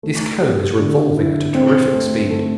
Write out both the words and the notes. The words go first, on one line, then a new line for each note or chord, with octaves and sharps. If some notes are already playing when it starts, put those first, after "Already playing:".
This cone is revolving at a terrific speed.
A3
G4
D3
E4
C4
A3
A3